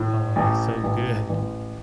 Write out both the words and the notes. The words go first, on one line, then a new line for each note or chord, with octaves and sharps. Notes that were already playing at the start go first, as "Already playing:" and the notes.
Oh, so good.
Already playing: A2
A1
A1
A1